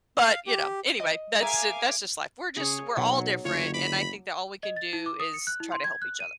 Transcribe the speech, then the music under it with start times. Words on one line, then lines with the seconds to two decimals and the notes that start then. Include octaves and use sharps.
But, you know, anyway, that's ju that's just life. We're just we're all different, and I think that all we can do is try to help each other.
0.22 F5
0.47 G4
1.00 D#5
1.40 G#4 A#4 E5 F5 G#5 D6
2.57 C#3 G#4 C#5
2.97 B1 B2 F#3 A#5
3.45 F#1 D2 F4 C#5
3.74 B5 D6
4.63 D#5
4.76 A6
4.93 E4
5.06 D6
5.20 D#6
5.34 C#7
5.47 F#6
5.60 E4
5.72 C6
5.84 G#6
6.02 F#6
6.20 D#7